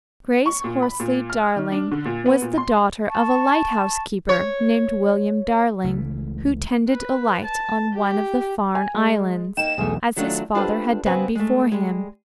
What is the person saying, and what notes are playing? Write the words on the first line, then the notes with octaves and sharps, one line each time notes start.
Grace Horsley Darling was the daughter of a lighthouse keeper named William Darling, who tended a light on one of the Farne Islands as his father had done before him.
C#6
A#2
B5
A#2
F6
D#3
D4
D3
A#2
B3
A#2
C6
A5 C#6
C#5
C#2 C#3 E3 A3
B4
A5
G4
G#5
G#3
A#3 D#4 G5 E7
B1 E2 A3 G#4
D#3 F#3 A3 D4 F4
D4 F4 G4 A4 B4 C5
C#3 B3 C4 B4 C5 G#5
G#3 A3
G3 G#3